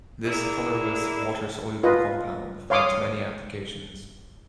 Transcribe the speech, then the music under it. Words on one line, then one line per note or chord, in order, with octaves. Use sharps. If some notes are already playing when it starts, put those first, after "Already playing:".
This colorless, water-soluble compound finds many applications.
G#3 A#3 D4 E4
F4 B4 D#5
C#5 F5 C6 D6 D#6